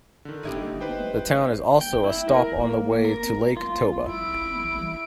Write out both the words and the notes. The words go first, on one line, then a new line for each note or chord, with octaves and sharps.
The town is also a stop on the way to Lake Toba.
D3 D#3
D#4 E4 G4
B4 C5 G5
G5
E4
A#4
A#3
A#4
F4
E4 D7